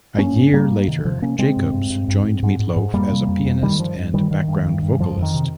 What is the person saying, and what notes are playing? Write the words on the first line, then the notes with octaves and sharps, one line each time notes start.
A year later, Jacobs joined Meat Loaf as a pianist and background vocalist.
G#2 A#3 C#4
G#2
G#2 G3 A#3
G#2
C3 D#3
C3 F3
C3 A#3 C#4
C3 G#3 C4
G2
G2
G2
G2
G#2
G#2
G#2
G#2
F2 G3 A#3
C3
F2
F2
G2 D#3 G3
G2 F3
G2
G2 D#3 G3
G2 D#3
G2
G2
G2
F2 F3
F2
D#3
C3